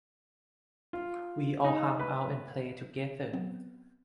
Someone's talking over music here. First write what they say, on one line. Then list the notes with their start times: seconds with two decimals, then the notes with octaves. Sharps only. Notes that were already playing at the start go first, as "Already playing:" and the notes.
We all hung out and played together.
0.93 F4
1.64 D#4
1.99 B4
3.33 F#3 B3 C4